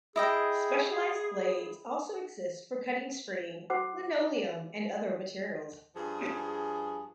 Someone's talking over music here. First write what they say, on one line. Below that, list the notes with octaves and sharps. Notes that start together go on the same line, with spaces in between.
Specialized blades also exist for cutting string, linoleum, and other materials.
E4 G#4 D#5 G5
F#4 C5 F#5 D6
G2 F3 G#4